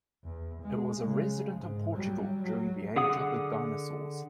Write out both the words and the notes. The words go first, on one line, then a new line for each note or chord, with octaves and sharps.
It was a resident of Portugal during the age of the dinosaurs.
E2
G#3
C#3 G#3
G#2
F#3 G3
F#3
D3 G#4 F#5 D#6